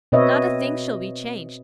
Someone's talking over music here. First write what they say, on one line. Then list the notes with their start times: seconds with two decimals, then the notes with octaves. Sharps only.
Not a thing shall be changed.
0.12 B2 C4 B4 C#5 D#5 E5